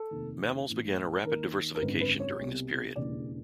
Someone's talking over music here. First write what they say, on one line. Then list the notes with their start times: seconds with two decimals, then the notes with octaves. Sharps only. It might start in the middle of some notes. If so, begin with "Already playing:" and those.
Mammals began a rapid diversification during this period.
Already playing: A4
0.11 F1 D#2 D#3
0.68 A1 A2 E3
1.25 D#2 D#3 A#4
1.75 A#4
1.82 G#1 F#2 D3 B4
2.01 B4
2.20 C#5
2.39 C2 B2
2.95 E1 D#2 C#3 E3 D5